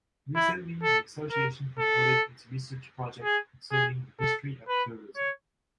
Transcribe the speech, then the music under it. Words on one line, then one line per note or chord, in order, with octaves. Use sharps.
Recently the Association promoted its research project concerning the history of tourism.
E4
A4
A#4
A4
G#4
G#4
A4
B4
C#5